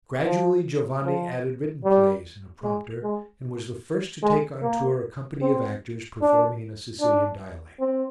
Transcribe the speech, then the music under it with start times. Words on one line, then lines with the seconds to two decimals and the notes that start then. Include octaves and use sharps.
Gradually Giovanni added written plays and a prompter, and was the first to take on tour a company of actors performing in a Sicilian dialect.
0.25 F3
1.05 F3
1.84 G3
2.64 G#3
3.03 G#3
4.23 G#3
4.62 A#3
5.42 C4
6.21 D4
7.01 D4
7.80 C4